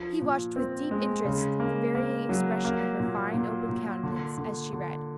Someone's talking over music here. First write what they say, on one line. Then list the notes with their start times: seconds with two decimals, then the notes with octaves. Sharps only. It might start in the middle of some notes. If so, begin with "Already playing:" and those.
He watched with deep interest the varying expression of her fine open countenance as she read.
Already playing: F3
0.21 A#2
0.56 C4
0.91 G#3
1.25 C#3
1.60 A#3
1.95 A#3
2.29 F#3
2.65 A#3
3.00 A#2
3.34 A#2
3.69 A#2
4.03 D3
4.38 D3
4.73 D3